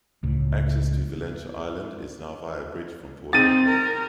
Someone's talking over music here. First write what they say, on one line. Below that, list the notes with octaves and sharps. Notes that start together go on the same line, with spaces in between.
Access to Valentia Island is now via a bridge from Portmagee.
C#2 A2
C4 D#4 A6 D#7
A#4